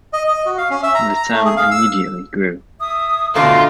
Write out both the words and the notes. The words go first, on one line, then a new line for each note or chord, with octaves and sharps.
The town immediately grew.
D#5
D#5
F#4
F5
C#4
E5
A#5
A#5
A3
G#4
F5
E6
E5 D#6
B2 D3 A3 F4 D#5 A#5